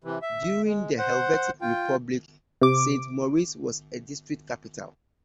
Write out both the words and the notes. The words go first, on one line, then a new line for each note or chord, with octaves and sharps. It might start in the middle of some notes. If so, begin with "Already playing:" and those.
During the Helvetic Republic Saint-Maurice was a District capital.
C3 E3
E5
G#3
C5 F#5
F4 G5
C3 D6